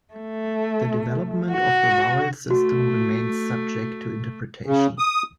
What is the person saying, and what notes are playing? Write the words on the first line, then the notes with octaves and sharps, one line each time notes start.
The development of the vowel system remains subject to interpretation.
A3
F#4
A3 F#4
C#3
D#6